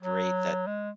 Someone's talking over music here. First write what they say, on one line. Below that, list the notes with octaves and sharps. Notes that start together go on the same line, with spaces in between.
great that,
F#3
G#3